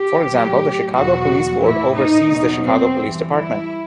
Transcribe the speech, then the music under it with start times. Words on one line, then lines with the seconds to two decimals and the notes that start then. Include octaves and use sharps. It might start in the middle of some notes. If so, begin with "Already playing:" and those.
For example, the Chicago Police Board oversees the Chicago Police Department.
Already playing: G4
0.25 A2 F#3
0.93 E2 B2 F#3 F#4
1.61 A2 E3 E4
1.95 D#4
2.29 E2 B2 F#3
2.63 C4
2.98 G2 E3
3.31 E4